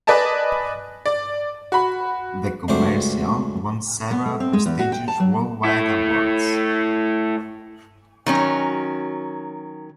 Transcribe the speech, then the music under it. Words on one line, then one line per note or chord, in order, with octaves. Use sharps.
The commercial won several prestigious worldwide awards.
B4 D5 D#5 G#5 A5
D5
F#4 B5
C#2 G2 F#3 A3 C5 D6
B3
A3
C4
G#3
E2
F#4
G5
A5
F#3
A3 E4
D#3 F#3 C#4